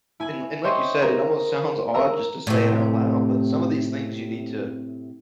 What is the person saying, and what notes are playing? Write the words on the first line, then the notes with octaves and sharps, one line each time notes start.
And and like you said, it almost sounds odd just to say it out loud, but some of these things you need to
E4 G#5
C5 C#5 D#5 E5 G5
G#4 A#4
A#4 A#5 E6
A2 C3